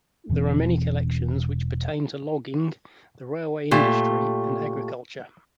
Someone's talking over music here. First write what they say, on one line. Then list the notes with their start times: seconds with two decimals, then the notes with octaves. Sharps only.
There are many collections which pertain to logging, the railway industry and agriculture.
0.29 E1 B2 E3 C4
3.71 A#2 A3 G4